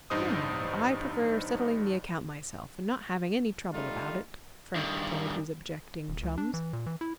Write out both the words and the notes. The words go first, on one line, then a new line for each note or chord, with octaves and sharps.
"No, I prefer settling the account myself, and not having any trouble about it," Frank told his objecting chums.
A1 G2 D#4 C5 D#6
G3 A3 D#4 F4
G2 D#3
D#1
C#2
D4
E3
A#2
E3
E4